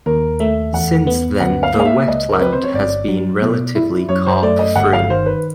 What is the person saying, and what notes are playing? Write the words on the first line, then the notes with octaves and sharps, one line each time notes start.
Since then the wetland has been relatively carp free.
D#2 A#4
A3 E5
E2 F#5
B3
D2 F#5
F5
A#3
F5
E5
C#2 D#5
A#4
C4 B4
C5
C#5
G1 D5
F#3
B2
E4
F#2 C#5
C5
A3 D5
D#5
G1 F#5
F5
D#3 C5
B4